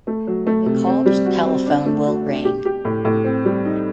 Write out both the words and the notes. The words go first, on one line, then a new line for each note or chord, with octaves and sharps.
The called telephone will ring.
A3
F#3
A3
C3
C4
G3
F#4
C4
D4
A3
F#4
D4
G4
G4
A2
A2
C4
G3
D#4